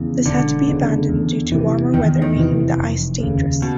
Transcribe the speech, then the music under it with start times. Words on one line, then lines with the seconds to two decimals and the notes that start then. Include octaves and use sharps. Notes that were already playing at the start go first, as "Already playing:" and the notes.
This had to be abandoned due to warmer weather making the ice dangerous.
Already playing: E2 C#3
0.25 E1 D3
0.67 E2 C#3
1.09 E2
1.52 C3 E3
1.94 E2 D#3
2.22 D#3
2.36 C3 E3
2.78 F1
3.20 D#2 C#3
3.62 B2